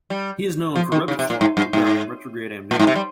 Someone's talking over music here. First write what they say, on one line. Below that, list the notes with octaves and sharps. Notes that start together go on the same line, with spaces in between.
He is known for Ribot's Law regarding retrograde amnesia.
G3
F3
D#3
C#3
C3
A#2
G#2
G2
G#2
A#2
G#2
C3
G3